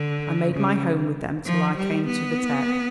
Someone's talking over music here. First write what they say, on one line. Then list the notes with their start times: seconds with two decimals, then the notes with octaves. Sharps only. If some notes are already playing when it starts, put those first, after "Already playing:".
I made my home with them till I came to the Tech.
Already playing: D3
0.54 C#3
1.46 F3
1.77 G3
2.06 B3